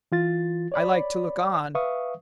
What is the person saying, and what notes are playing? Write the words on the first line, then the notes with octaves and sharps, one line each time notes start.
I like to look on.
E3 F4 A6
C#5 D5 B5
B4 E5 F5 C#6 D#6